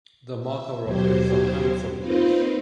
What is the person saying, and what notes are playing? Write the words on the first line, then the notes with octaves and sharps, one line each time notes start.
The mackerel is a handsome fish.
E5
D#2 B2 F#3 G4 C5 G#6
A#3 C4 D#4 F4 B4 C5